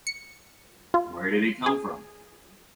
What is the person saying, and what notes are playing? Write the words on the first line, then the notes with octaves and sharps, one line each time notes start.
Where did he come from?
C#7
F4
G#4